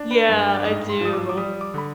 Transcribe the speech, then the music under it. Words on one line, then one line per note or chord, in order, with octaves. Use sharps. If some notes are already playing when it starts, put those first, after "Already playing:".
Yeah, I do.
Already playing: D4
B4
G2 B4
D5
G#2 D#5
C6
F3 D#6
D6
D6
G3 D#6
D6
D3 B5